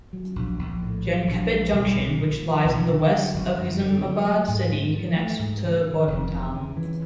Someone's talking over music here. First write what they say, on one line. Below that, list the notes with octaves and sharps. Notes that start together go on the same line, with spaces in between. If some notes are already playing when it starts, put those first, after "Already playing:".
Jankampet Junction which lies in the west of Nizamabad city connects to Bodhan town.
F#3
A#1
A#1
A2
F#3
A#1
F3
B1
B1
A#2
F3
B1
D3
F#3
G1
F#2
D3
F#3
A3
G#2
G#2
F3
A3
G#2
C#3
E3
F1
E2
C#3
E3